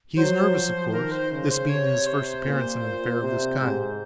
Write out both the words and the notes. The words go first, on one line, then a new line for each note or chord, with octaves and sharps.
He is nervous, of course, this being his first appearance in an affair of this kind.
F#3 C5
F3
D#3 A#4
C5
C#3
C5
C3 C#5
C5
A#2
A#2
C3
G#2